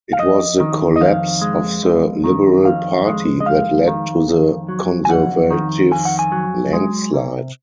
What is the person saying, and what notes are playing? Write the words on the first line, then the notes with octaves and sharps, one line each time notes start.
It was the collapse of the Liberal Party that led to the Conservative landslide.
F5
F2 D#5
D#3
D#5
F2 F5
G#3
F2
D#3
F2 F5
G#3
D#5
F2 F5
D#3
F2
F#3
G#5
F2 F#5
D#3
F2 G#5
F#5
G#5
F#3
G#3
C3